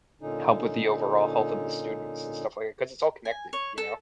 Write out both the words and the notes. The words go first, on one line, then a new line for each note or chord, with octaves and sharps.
help with the overall health of the students and stuff like 'cause it's all connected, you know?
A#2 D3 C#4 D#4
G#5
C#5
A4